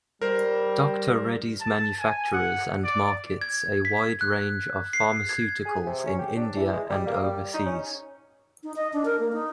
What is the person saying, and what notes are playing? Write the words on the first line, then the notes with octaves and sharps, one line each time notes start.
Doctor Reddy's manufactures and markets a wide range of pharmaceuticals in India and overseas.
G3 A#4 C5
A5
G#5
F#5
D5
G#6
B6
F#6
C7
G#6
G#4
C3
C#4
G4
D4
E3
G#3
G3
A#3
G3
D#4
C#4
D#4
D#5
D4
A#4
A#3
D#4